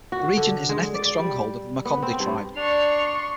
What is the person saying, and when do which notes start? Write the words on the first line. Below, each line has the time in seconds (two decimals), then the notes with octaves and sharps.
The region is an ethnic stronghold of the Makonde tribe.
0.12 F#4
0.37 D3
0.69 G#3
0.95 D5
1.19 G3
1.85 B3
2.02 C4
2.20 G2
2.56 D4 C6 C#6 F7